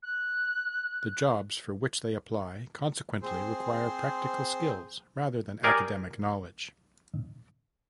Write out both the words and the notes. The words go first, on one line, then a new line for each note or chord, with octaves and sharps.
The jobs for which they apply consequently require practical skills rather than academic knowledge.
F#6
C4 G#4 C5
G4 G#4 A#4 D5 G#5